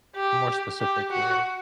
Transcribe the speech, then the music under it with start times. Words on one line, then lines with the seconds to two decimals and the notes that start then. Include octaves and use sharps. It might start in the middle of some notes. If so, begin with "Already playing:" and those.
more specific way?
0.16 G4
0.80 G4
1.11 F#4